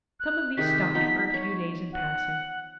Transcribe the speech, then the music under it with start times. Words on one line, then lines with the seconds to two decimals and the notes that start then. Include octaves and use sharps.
Some of these stopped for a few days in passing.
0.20 F#6
0.57 C3 D#3 G#4 B6
0.94 F3 B3 D#4
1.34 C#5
1.93 F#5